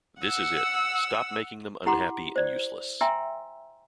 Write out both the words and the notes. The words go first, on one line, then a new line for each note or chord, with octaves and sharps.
This is it: stop making them unhappy and useless.
F#5 E6
E4 G4 F#5 A#5 C6 D6
C5 D5
E5 G5 G#5 A#5 C6 E6